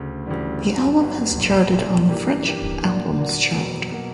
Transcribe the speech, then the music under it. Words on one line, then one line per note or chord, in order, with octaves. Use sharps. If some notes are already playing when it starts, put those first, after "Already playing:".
The album has charted on the French Albums Chart.
Already playing: D2 C#3
D2 C#3 E3 G3
G1 G2 F#3
G1 G2 F#3
B1 A#2 G3
B1 A#2 G3
G2 E3 A#3 D4 G4
G2 E3 A#3 D4 G4
A#2 A#3 D4 F#4
A#2 A#3 D4 F#4
F#1 E2 B2 F#3 A#3
B2 F#3 A#3